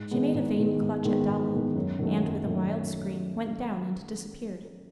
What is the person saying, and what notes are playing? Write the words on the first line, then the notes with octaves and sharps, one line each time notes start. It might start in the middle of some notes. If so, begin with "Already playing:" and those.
She made a vain clutch at Dolly, and, with a wild scream, went down, and disappeared.
Already playing: G#2
D#3 G#3 B3
G#2
D#3 G#3 B3
G#2
D#3 G#3 B3
G#2
D#3 G#3 B3
F#2
D#3 F#3 A3
F#2
D#3 F#3 A3